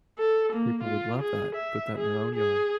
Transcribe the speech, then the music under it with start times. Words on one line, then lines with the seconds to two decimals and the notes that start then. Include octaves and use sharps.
People would love that, put that in their own yard.
0.18 A4
0.53 A#3
0.83 F4
1.22 G#4
1.55 E5
1.98 G#4
2.35 G#4